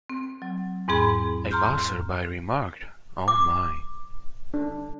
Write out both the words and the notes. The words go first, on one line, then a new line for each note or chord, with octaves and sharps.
A passer-by remarked, Oh, my!
C4
F#3
E2 G#2 C4 G#4 B5
A#5 C6 F6 G6
D6
D4